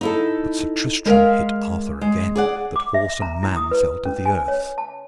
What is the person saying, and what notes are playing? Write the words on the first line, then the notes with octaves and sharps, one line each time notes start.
But Sir Tristram hit Arthur again, that horse and man fell to the earth.
D#4 E4 A4
G#3 A#4 E5 F5
G#3
G#4 D5 F#5
D6
E5
A#5
E4
D#6
B4
C#4
G#5
C#5
A5